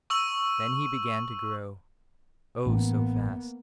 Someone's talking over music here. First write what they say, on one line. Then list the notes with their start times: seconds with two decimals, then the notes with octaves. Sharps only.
Then he began to grow, oh! so fast.
0.10 C#6 E6 D#7 F#7
2.66 A1 A#3 B3